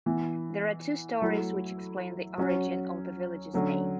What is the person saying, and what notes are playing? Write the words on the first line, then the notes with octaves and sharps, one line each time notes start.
There are two stories which explain the origin of the village's name.
E3 B3 E4
F#3 A3 E4
F#3 C#4 F#4
D3 F#3 C#4 F#4